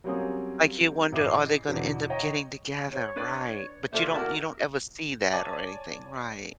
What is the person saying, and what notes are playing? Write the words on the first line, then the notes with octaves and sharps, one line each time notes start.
Like you wonder, "Are they gonna end up getting together?" Right. But you don't you don't ever see that or anything. Right.
F#3 G3 A#3 C4 C#4 G#4
A1 G#4 D#5 E5 D6 C7
E2 B2 D3 E3
C#5 D#5 G5 A#5 C#6
C#5
D4 B4 D5
C3 A#3 F4 A4 C5 D5 E5
E4 F#4 A#4 A5
C#5 D5 G#5 A5 D6 A6